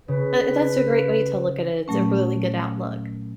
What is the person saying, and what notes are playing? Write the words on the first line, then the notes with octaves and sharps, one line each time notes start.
Uh, and that's a great way to look at it, it's a really good outlook.
C#3 B4
A#2 F#3 A3 C#4